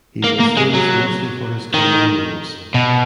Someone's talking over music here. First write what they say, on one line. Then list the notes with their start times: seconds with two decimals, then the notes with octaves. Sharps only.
He was famous mostly for his comedy roles.
0.24 A#3
0.40 A#3
0.57 G#3
0.74 F#3
1.74 D#3
2.74 B2